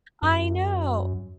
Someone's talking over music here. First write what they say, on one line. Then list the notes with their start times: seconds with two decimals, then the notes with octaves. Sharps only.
I know!
0.23 F#2